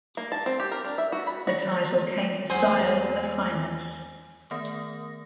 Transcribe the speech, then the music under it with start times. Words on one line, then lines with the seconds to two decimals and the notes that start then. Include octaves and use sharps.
The title came the style of Highness.
0.17 A#3
0.32 A5
0.46 C4
0.60 G4
0.72 A#4
0.85 D4
0.98 E5
1.12 F#4
1.27 B5
1.47 F#4
2.50 E2 F#3 C#4 G#4 C5 G#5
4.51 D#3 A3 B3 A#4 D#6 A#6